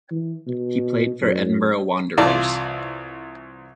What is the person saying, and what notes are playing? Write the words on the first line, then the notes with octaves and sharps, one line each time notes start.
He played for Edinburgh Wanderers.
E3
B2
F#2
C2 E3 F4 D5 A5